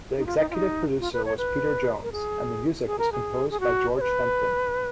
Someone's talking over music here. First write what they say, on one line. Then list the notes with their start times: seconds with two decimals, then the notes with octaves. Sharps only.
The executive producer was Peter Jones and the music was composed by George Fenton.
0.17 D#4
0.26 F4
0.38 D#4
0.50 F4
0.54 D#4
1.00 F4
1.13 B4
1.25 C#5
1.38 B4
2.03 A#4
2.12 G#4
2.86 G#4
2.99 A#4
3.12 G#4
3.51 G#4
3.60 F#4
3.97 C#5
4.01 B4